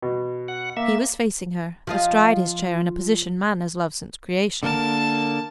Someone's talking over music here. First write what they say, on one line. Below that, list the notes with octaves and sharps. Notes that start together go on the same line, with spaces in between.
He was facing her--astride his chair, in a position man has loved since creation.
B2
F#5
A#3 E5
F3 F4 D#5
D3 A#3 A#4 A5